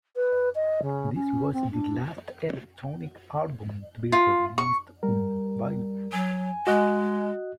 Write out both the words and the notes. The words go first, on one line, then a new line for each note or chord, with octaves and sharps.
This was the last Electronic album to be released on vinyl.
B4
D#5
C#3
C#4
C4
D4
F4
C#6
G3 A#4
F#3 G#5
G#3 F#4 D#5 F#6